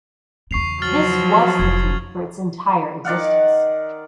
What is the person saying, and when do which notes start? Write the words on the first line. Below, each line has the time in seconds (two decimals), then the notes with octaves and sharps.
This was the fleet for its entire existence.
0.51 E2 C#3 C#6 C7 F7
0.82 F3 F#3 F6 A6 F#7
1.59 F1 G#6
3.05 D#3 D5 F5 F#5